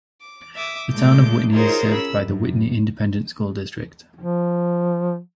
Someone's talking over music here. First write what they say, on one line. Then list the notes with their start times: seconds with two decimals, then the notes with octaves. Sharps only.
The Town of Whitney is served by the Whitney Independent School District.
0.21 D6
0.56 E5 D6 D#6
0.91 A#2 G#3 A3 D6 G6
1.51 D#4 F4 G#4 A#4 C5 C#5
1.92 C#4 B5 E6
2.21 F#2
4.20 F3